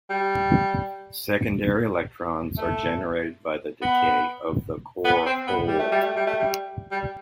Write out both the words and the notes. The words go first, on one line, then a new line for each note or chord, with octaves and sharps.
Secondary electrons are generated by the decay of the core hole.
G3
A3
B3
B3
C4
B3
G3
A3
G3
A3
G3
A3
G3
G3